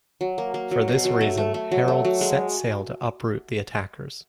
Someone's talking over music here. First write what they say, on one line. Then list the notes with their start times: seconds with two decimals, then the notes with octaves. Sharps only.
For this reason Harald set sail to uproot the attackers.
0.21 F#3
0.38 A#3
0.54 A#3
0.71 F#3
0.88 B2
1.05 F#3
1.21 A3
1.37 A3
1.54 A3
1.72 F#3
1.88 A3
2.05 F#3
2.21 G#3